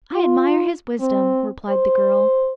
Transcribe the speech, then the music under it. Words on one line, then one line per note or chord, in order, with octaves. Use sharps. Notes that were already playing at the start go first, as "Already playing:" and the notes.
"I admire his wisdom," replied the girl.
F4
C4
C5